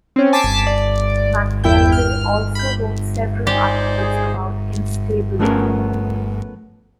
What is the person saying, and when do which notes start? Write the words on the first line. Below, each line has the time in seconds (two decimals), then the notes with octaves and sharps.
McKelvey also wrote several articles about instability.
0.16 C4 C#4
0.33 G#5 A5 D6 A6 B6 C7
0.67 D5
1.64 E2 E4 G5 G6
1.92 F6
2.55 B5 G6
3.47 D#4 G4 C5 D5 G#5
3.96 G#4
5.39 F3 A3 B3 C#4 G#4 A#4